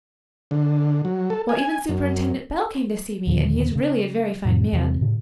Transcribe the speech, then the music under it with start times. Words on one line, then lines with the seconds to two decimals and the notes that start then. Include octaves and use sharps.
Why, even Superintendent Bell came to see me, and he's really a very fine man.
0.51 D3
1.05 F#3
1.30 A4
1.49 G#5
1.89 F#2
3.27 D#2 A#2 D3 F3
3.75 C#3
4.45 F2 A2 C3 D#3
4.72 E2 C3 E3 C4
5.01 A2 C#3